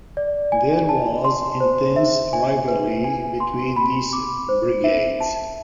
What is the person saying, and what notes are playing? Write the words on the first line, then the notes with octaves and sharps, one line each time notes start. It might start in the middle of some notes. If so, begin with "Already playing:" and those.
There was intense rivalry between these brigades.
D5
G#5
A5
C6
C5
E5
G#5
B4
G#5
C6
B5
D6
C5
E5
A5